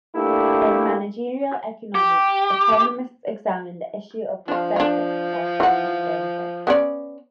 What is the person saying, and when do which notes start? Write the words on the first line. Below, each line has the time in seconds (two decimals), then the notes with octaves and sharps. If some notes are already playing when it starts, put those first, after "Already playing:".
In managerial economics, economists examine the issue of psychic costs and benefits.
0.16 A3 A#3 D4 E4 G4
1.95 G4
4.48 F3 D4 F4
4.76 D4 F4
5.60 E3 F#5
6.67 B3 C#4 D5